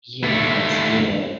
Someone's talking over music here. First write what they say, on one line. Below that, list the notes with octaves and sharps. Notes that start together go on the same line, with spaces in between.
Yes, yes,
D#2 A3